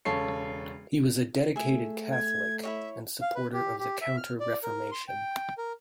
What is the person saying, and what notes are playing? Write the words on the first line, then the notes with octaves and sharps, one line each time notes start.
He was a dedicated Catholic and supporter of the Counter-Reformation.
E1 C#3 A4 C#5 C7
A3 G#4 E5
G#6
E4 F#4 C#5 E5
F5
B4
G4
G4
E5
F6
D5
A#4
C6
G5
A#4